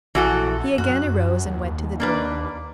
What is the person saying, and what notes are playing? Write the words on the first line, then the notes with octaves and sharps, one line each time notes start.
He again arose and went to the door.
A#1 E3 F#4 A4
F#2 F#4
D#2
A#3 D4 B4